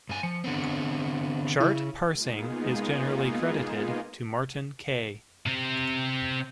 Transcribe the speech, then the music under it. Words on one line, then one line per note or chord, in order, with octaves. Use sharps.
Chart parsing is generally credited to Martin Kay.
G2 G#5
F3 C#7
D3 B3 C4
C#3 E4
G#3 A#3 B3 D#4 F4 G#4
C3 C4